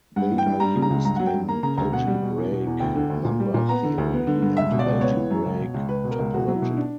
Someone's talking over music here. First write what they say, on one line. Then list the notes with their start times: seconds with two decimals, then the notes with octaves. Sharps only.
They are used in algebraic number theory and algebraic topology.
0.16 G2 F#5
0.30 E3
0.38 G5
0.46 G2
0.60 G3 A#5
0.76 C#3
0.82 A#5
0.90 C#2
1.04 G2 A#5
1.16 F#3 F#5
1.26 G5
1.34 G2
1.49 A#3 A#5
1.63 C#3 A#5
1.77 D2 A#5
1.93 B2 F#5
2.07 G3
2.22 B2
2.37 E2
2.52 B2
2.67 E2
2.80 D2 G5
2.95 D3
3.10 D2
3.25 A#2
3.40 G3
3.54 A#2
3.69 B3 A#5
3.84 D3
3.98 D2
4.13 B3
4.27 D3
4.42 G2
4.57 C#2 E5
4.71 B2
4.79 D5
4.86 C#2
5.01 B3 C#5
5.16 E3
5.31 F#2
5.46 C#2
5.60 B2
5.74 C#2
5.89 C#2 B4
6.04 B2
6.11 A#4
6.19 C#2
6.34 B2 F#4
6.48 F#3
6.55 E4
6.62 B2
6.77 D4